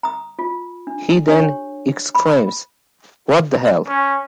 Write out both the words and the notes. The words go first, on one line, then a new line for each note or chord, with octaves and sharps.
He then exclaims: What the hell?!
A#5 D#6
F4
D4
D4 G4 C#5
B5
C#4